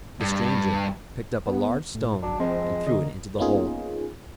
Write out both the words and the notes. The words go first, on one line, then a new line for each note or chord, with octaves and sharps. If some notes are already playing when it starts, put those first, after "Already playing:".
The stranger picked up a large stone and threw it into the hole.
G2
B3
A2
G#1 F#3 D4
F2 F3 G#3 C4
D3 A#3 D#5
A#3 B3 C#4 D#4 F4 G#4